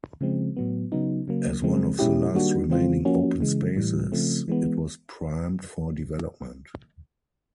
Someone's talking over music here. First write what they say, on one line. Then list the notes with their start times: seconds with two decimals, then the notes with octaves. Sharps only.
As one of the last remaining open spaces it was primed for development.
0.21 C#3 F3 G#3 C4
0.57 A2 F#3 B3
0.92 C#3 F#3 B3 D#4
1.28 C#3 F#3 A#3
1.62 C#3 F3 G#3 C4
1.99 B2 G#3 C#4 E4 G4
2.34 D#3 G3 A#3 D4 F#4
2.70 C#3 E3 G#3 C4 F4
3.05 F3 A#3 C#4 F#4
3.40 C#3 E3 G#3
3.76 A2 E3 G3
4.12 C#3 F3 A3 C4
4.48 E3 G#3 B3